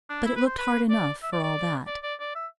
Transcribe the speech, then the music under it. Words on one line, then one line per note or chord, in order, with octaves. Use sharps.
But it looked hard enough, for all that.
D4
E4
B4
C5
B4
D5
E5
D5
D5
D5
D5
D5
E5